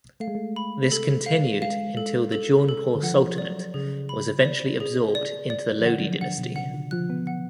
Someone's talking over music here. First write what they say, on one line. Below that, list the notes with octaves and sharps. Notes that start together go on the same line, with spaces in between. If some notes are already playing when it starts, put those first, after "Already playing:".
This continued until the Jaunpur Sultanate was eventually absorbed into the Lodi dynasty.
A3 F5
G#3
A3
B5
A4
F5
G#3 F5
A4
A4
A4
D3
F3 F#5
F3
D5
F#3
C#3 G#4
B5
D5
G#4
D5
D5
F3
D3 F#5
F#3
F3
D3 F#5
B2
C#3 F#5
D3
F3 F#6
B3
F#5